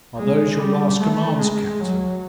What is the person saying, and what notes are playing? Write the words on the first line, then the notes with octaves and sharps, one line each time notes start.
"Are those your last commands, captain?"
G#3
G3
A3
G#3
F#3